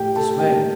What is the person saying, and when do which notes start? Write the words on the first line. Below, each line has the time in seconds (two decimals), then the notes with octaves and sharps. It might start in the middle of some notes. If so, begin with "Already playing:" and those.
"This way."
Already playing: A2 G4 G5
0.16 A4 A5
0.39 G3 A#3 G4 G5